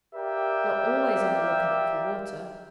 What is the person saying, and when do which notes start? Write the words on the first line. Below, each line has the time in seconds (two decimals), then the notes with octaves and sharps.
"You're always on the lookout for water."
0.14 G4 A#4 D5 E5 F5 G5